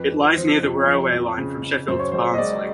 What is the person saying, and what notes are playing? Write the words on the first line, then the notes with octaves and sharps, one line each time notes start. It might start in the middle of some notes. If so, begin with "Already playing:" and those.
It lies near the railway line from Sheffield to Barnsley.
Already playing: F2 B4
F2
F3 C5
F2
F2
F2
C#3
C#3
F#2 C5
C#5
F#1 C5
D#5
G#3 D5